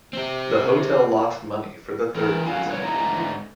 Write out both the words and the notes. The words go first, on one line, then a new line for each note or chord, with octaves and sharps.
The hotel lost money for the third consecutive year.
C4 G4
E3 A#4
C#4 F4 F#4 G#4 A4 F5
G2 B2 C#5
G#2 D3 A3 D#4 D#5 A#5